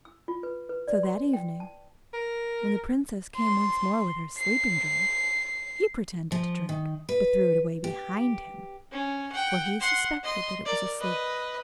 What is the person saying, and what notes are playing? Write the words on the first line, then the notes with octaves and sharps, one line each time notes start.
So that evening, when the Princess came once more with her sleeping-drink, he pretended to drink, but threw it away behind him, for he suspected that it was a sleeping-drink.
E6
F4
B4
B4
D5
C6
G5
A5
A#4
C6
C7
F3
D#3
B4
G4
C#4
F#5 G5
F#5 C6
D#5 C6
A#4 D5
B4 D#5